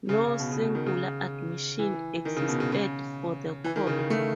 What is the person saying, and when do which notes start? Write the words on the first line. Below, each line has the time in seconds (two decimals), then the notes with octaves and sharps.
No singular admission existed for the court.
0.09 C#3
0.25 C#3
0.40 B2
0.51 C#3
0.64 B2
0.75 D#3
0.86 C#3
1.79 E3
2.25 D#3
2.36 C#3
2.48 B2
2.60 C#3
2.72 C#3
3.64 E3
3.76 D#3
3.87 C#3
3.99 C#3
4.10 A3